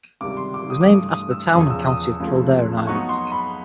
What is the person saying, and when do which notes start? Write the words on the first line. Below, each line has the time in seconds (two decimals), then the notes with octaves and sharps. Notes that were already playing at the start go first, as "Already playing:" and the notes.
It was named after the town and county of Kildare in Ireland.
0.21 C#2 C3 D#3 G3 D6
0.37 C6
0.54 D6
0.70 D#6
0.81 D6
0.87 G2 E3 A3 D#6
1.09 D#6
1.31 E6
1.53 E2 C#3 F3 D#6
1.70 E6
1.87 D#6
2.20 C#2 C#3 F3 A3 C4
2.87 B2 F#3 B3 D#4 C#6
3.09 C6
3.32 B5